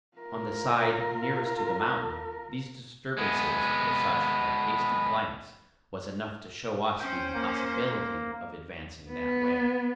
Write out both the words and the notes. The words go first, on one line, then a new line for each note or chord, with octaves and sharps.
On the side nearest to the mountain these disturbances were such that a hasty glance was enough to show us the impossibility of advancing that way.
F4 A#4
G#3 B3
C#4 C5 G5
A#3
B3